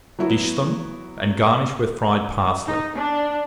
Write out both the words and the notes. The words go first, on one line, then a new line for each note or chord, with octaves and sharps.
Dish them, and garnish with fried parsley.
F#3 B3 E4 F#4
D#4
D4